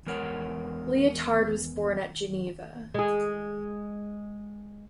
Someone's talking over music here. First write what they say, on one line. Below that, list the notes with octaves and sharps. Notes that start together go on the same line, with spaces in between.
Liotard was born at Geneva.
E2 G#3 A#4 C#5 F#5
G#3 G#4